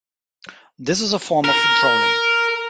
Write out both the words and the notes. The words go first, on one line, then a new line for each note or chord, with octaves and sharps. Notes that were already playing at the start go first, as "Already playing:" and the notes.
This is a form of trolling.
A#4